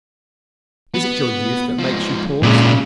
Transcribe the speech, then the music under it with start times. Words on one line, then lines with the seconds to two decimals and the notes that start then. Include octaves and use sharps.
Is it your youth that makes you pause?
0.94 B3
1.79 F3 G#3
2.43 A#2 C#3 G#3